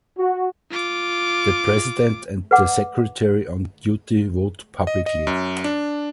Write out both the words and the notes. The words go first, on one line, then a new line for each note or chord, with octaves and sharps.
The president and the secretary on duty vote publicly.
F#4
F4 D6
B4 D5 F#5 D6
D#5
D#5
F#2
D4